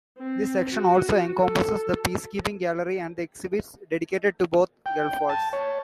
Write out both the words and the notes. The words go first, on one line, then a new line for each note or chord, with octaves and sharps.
This section also encompasses the Peacekeeping Gallery and exhibits dedicated to both Gulf Wars.
C4
F#4
A4
G5
A5
C#5